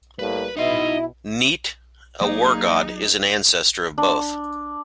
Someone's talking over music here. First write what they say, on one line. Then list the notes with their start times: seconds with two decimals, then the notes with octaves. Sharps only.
Neit, a war god, is an ancestor of both.
0.19 A2 G3 A#3 B4
0.56 B2 D#4 E4 D#5 C6
2.21 F#3 A#3 D#4 G#4 D5 D#5
3.98 D4